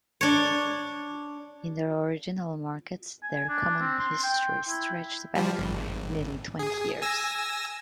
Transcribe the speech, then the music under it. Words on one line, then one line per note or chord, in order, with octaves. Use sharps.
In their original markets, their common history stretched back nearly twenty years.
D4 C#5
G#5
D4
C4
C6
G5
E4
F3 G3
G#1
G#4
G#5 E6 A#6